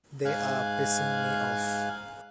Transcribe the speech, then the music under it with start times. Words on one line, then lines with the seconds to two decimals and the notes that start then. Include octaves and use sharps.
They are pissing me off.
0.25 G#2 F5 G#5 F#6